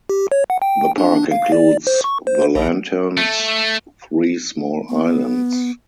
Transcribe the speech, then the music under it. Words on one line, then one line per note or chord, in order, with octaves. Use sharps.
The park includes The Lanterns, three small islands.
G4
C#5
F#5
G5
D4
F5
D5
C5
C#6
C5
A#1
A3
B3